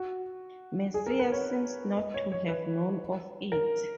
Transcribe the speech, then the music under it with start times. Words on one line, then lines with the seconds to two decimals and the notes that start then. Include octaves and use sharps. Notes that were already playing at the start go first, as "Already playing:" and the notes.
Messier seems not to have known of it.
Already playing: F#4
0.94 G#4
1.07 A#4
1.19 B4
1.32 C#5
1.97 D#5
2.14 C#5
2.32 C#5
2.49 B4
3.52 A#4